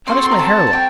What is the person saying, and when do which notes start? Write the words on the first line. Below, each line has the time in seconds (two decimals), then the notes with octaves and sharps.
How does my hair look?
0.07 C4 F#4 A4 C6
0.24 C6
0.31 A#5
0.39 A5
0.67 A5
0.73 G5